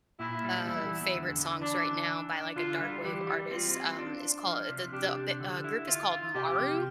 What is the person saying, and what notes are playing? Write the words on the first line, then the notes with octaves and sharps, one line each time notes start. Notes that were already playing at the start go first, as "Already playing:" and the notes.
uh, favorite songs right now by, like, a dark wave artist, um, is called the the the, uh, group is called Maru.
A#2 E4
G3
E2 E4
E2
D3
D3
E3 D4
E3
D4
D4
D3 F4
G3
E3 G4
G3
C4 F4
C4
D4
D4
F3
C3
D4 G4
D4
D3
E4
F4
F4
C3 G4
F3